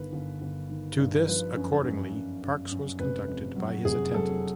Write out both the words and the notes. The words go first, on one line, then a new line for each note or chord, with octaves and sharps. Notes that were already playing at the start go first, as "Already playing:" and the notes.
To this accordingly Parks was conducted by his attendant.
Already playing: G1 D#3 B4
G1
G1
D#3
G2
F3 B4
F#2
F#2
F#2
F#2
F#2
F1 B4
F2
F#3
F1 G#4
F#3 A4